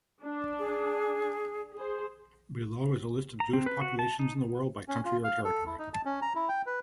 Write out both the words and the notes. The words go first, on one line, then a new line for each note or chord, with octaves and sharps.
Below is a list of Jewish populations in the world by country or territory.
D4
G#4
G#4 C5
A#5
C4
B4
F#4
A5
D#4
C#4
F4
F5
A4
E4
D#4
A5
C#4
A#5
E4
G5
B4